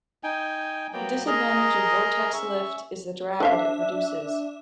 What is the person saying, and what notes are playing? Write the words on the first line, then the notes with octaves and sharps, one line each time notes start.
The disadvantage of vortex lift is the drag that it produces.
D#4 G5 G#5
F#3 A#3 B3 G5
G#4 A#4 D#5 A#5
C#4 E5 C#6
D4 A4 C5 E5 F5